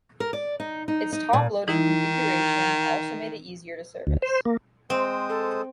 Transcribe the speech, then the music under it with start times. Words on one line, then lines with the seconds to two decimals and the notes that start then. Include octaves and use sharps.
Its top loading configuration also made it easier to service.
0.20 A#4
0.33 D5
0.60 D#4
0.88 D#4
1.12 D#4
1.33 A#2
1.68 D#3 E3 D#4 E4
4.07 D2
4.22 C5
4.45 A#3
4.90 G#3 C4 C5 D#6
5.29 A4